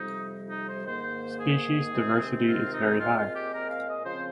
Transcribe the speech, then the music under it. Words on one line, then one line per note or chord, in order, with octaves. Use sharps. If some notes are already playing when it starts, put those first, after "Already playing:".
Species diversity is very high.
Already playing: F2 C3 G3 D#4
D#4
C5
G#2 D#3 A#3 C5
G#4
C3 D#3 G#3 C4
F4
D#4
A#2 G#3 C4 F4
F4
G4
A#4
F5
D#5
C#3 F3 C4 C5